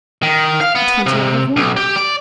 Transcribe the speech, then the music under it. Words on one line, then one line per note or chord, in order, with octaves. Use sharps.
"The twenty I have won."
D#3
F5
B3
C3
B1
G4
D5